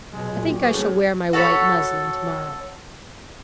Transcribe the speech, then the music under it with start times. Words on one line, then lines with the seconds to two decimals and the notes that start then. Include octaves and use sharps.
I think I shall wear my white muslin tomorrow.
0.13 B2 F#3 G#3
0.30 A#2
0.45 A#3 F#4 G4
0.61 E3 G#4
0.73 A2 G3 C#4
1.33 F#4 A4 C#5 B5